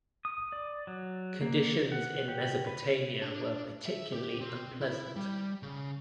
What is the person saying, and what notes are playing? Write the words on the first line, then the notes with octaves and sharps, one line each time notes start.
Conditions in Mesopotamia were particularly unpleasant.
D#6
D5
F#3
A#3
F#5
G4
B4
D4
E5
G4
C4
E4
G3
C#3